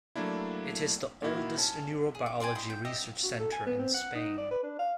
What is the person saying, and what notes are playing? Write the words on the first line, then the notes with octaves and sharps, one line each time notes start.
It is the oldest neurobiology research center in Spain.
F#3 A3 A#3 D4 E4
A#2 D#3 A#3 E4 F#4
C#4 A5
G#4
D6
C5 D5 G5 G#5
E4 D#5 C6
G5
G4 D#5 E5
F#4
A4
G#5
B3
C4
F#5
D#4
D5
B4
D4
F5